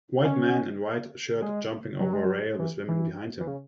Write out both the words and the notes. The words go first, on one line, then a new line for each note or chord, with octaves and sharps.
White man in white shirt jumping over rail with women behind him.
C#4
G#3
F#3
G#3
F#3
E3
E3
E3
C#3